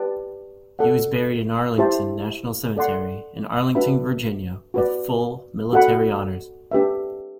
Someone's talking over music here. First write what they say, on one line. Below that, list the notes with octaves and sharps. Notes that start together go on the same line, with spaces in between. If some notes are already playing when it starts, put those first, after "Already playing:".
He was buried in Arlington National Cemetery in Arlington, Virginia, with full military honors.
Already playing: G4 B4 D5 A5
A4 D5 F#5
E4 G4 C5 E5 A5
A4 D5 F#5 C6
D4 F#4 B4 E5 B5
F#4 B4 D5
F#4 A4 D5 F#5 B5
D4 G4 B4 E5